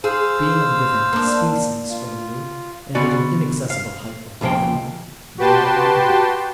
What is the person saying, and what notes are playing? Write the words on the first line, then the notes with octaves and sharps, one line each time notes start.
Being of a different species from you, and at an inaccessible height above you, they are affable.
G#4 C5 F5 E6
A#3 D4
F4
B2 D3 B3 F#4 D5 G#5
F5
C#2 A#2 F3 C5 G5
F#4 G4 B4 G5 A5 C6